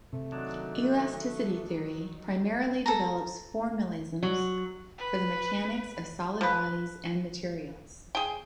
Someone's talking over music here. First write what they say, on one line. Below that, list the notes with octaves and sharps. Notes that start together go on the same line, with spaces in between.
Elasticity theory primarily develops formalisms for the mechanics of solid bodies and materials.
C3 A3
D#3 F#3 D4
A4 A#5
F#3
B4
F3 B4
G#4 G5